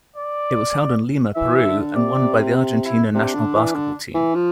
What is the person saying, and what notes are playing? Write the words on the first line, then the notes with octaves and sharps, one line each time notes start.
It was held in Lima, Peru and won by the Argentina national basketball team.
D5
E3 E5
D3
C3 D5
E4
C3 D4
D3
E3
D3
E3
F3